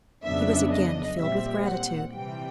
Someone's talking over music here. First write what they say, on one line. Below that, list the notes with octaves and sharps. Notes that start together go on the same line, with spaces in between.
He was again filled with gratitude.
F2 C#3 F#3 B3 D4 E5
D#5
A#2 G3 C4 E5
F#5
C3 E3 G3 G5